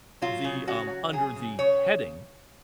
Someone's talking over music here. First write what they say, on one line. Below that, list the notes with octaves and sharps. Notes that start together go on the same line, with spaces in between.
the um, under the heading
F#3 F4
C#3
C#3 F#4
F#3
F#3 G#4
C#3
C#3 C#5